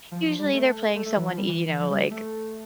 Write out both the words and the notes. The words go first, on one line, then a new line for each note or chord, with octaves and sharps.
usually, they're playing someone, y you know, like,
F3
F3
G3
A3
A3
A3
E3
F3
G3
E3
E3
F3
G3
A3